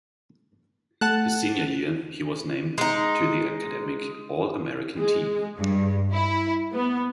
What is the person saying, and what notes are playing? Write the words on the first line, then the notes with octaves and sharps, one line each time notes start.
His senior year, he was named to the Academic All-American team.
A3 F#5 A5 F#6
G#3 D#4
G#3
G2
E4
B3